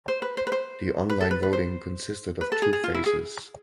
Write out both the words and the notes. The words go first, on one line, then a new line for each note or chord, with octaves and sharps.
The online voting consisted of two phases.
C5
B4
C5
B4
C5
B4
A4
B4
B4
C5
B4
A4
G#4
G#4
F4
E4
G#4